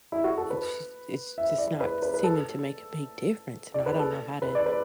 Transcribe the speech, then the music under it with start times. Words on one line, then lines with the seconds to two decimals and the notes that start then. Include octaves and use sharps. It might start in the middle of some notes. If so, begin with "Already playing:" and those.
it's just it's just not seeming to make a big difference, and I don't know how to
0.12 E4
0.24 F#4
0.38 A4
0.50 B4
1.38 E5
1.58 D5
1.80 B4
2.02 B4
2.14 B4
2.24 A4
3.74 D5
3.86 B4
3.99 A4
4.42 B4
4.55 D5
4.66 B4